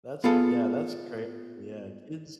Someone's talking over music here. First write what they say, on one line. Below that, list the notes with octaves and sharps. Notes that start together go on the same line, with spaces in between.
That's yeah, that's crazy, yeah. Kids
B3 F4 G#4 A4 F5